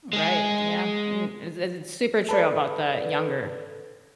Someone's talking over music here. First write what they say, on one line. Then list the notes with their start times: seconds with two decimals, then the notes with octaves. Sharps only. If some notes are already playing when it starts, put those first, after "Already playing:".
Right, yeah, and as it's super true about the younger
0.13 G#3 G#4
2.29 A4 B4 D5